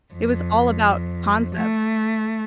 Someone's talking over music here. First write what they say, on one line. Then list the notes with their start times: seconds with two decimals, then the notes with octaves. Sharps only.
It was all about concepts
0.13 F2
1.55 A3